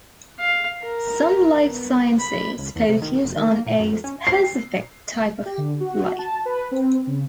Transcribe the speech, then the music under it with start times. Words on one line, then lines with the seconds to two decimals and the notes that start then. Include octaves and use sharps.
Some life sciences focus on a specific type of life.
0.40 F5
0.82 A#4
1.66 B3
2.19 B5
2.59 C#2
2.76 E2
2.89 C3
3.02 D#3
3.24 F#1
3.36 D#3
3.51 A#3
3.66 A#2
3.80 F#2
3.93 F2
4.04 C#4
4.27 C7
5.46 G4
5.58 D3
5.80 F#4
6.19 A5
6.46 B4
6.71 C4
7.07 C#3